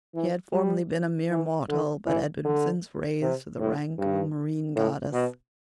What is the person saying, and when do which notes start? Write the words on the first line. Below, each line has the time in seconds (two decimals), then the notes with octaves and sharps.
She had formerly been a mere mortal, but had been since raised to the rank of a marine goddess.
0.15 E3
0.52 G3
1.30 E3
1.68 D3
2.06 E3
2.45 D3
3.22 C3
3.59 A2
3.98 G2
4.75 A2
5.13 B2